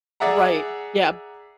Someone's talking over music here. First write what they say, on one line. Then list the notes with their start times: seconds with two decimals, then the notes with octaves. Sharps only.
Right, yeah.
0.20 G#4 D5 E5 F#5 A#5